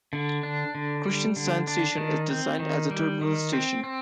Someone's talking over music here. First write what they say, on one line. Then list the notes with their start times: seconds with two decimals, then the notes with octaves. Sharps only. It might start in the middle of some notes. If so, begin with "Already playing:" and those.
Kristiansand Station is designed as a terminal station.
0.13 D3
0.43 D4
0.75 D3
1.05 G3
1.36 D3
1.67 D4
1.98 D#3
2.29 C4
2.59 D#3
2.91 G3
3.21 D#3
3.53 C4
3.84 C4